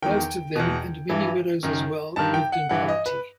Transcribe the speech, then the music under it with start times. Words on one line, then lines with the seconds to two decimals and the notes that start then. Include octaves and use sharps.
Most of them-and many widows as well-lived in poverty.
0.02 E2 D#3 G5
0.55 E2 B2
1.09 G2 E3
1.63 F#2 D#3
2.16 G2 D#3 A5
2.34 G5
2.52 F#5
2.69 G2 E3 F#5
2.88 D#5
3.06 B4